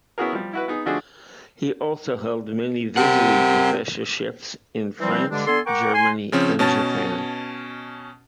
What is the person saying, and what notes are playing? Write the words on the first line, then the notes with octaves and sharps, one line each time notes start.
He also held many visiting professorships in France, Germany and Japan.
B3 C#4 E4 F#4 G#4 A#4
F3 G3
E4 F#4 B4
B3 D#4 G#4
D3 F3 A3 D4 F#4 G#4
C3 A#4 F#5
E3 F3 G3 C4
G2 D3 G#3 D4
D3 B3 A4 G#5 C6
A#4 F#5 G5 A#5 C#6 D6
G#5 C6
C#3 F3 C4 C#4
B2 C#4 A5 A6